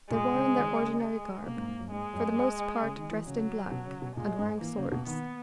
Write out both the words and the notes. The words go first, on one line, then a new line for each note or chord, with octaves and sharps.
They were in their ordinary garb; for the most part dressed in black, and wearing swords.
A#2 G#3
C#3
C#3
D#3
C#3
G#3
B2 A#3
G#2
G#2
F#2
G#2 G#3
F#2
C#3
D#3
E3
C#3 F#3
B2
C#3
B2
A#2 G#3
G#2
E3 A#3
C#3
B2
D#3 B3